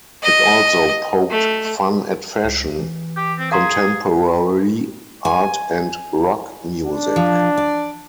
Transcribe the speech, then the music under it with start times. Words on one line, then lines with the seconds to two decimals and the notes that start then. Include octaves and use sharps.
It also poked fun at fashion, contemporary art and rock music.
0.23 D#5
1.30 A3
2.44 C#2
2.79 E3
3.17 G4
3.39 C4
3.52 G#4 F5 A#5 C6
5.25 G#5
6.83 D4
7.16 F3
7.57 D5